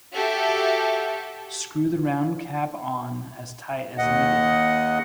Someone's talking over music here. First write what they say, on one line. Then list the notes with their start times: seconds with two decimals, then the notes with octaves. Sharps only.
Screw the round cap on as tight as needed.
0.15 F#4 G4 A4 E5
3.98 D#2 D#5 F#5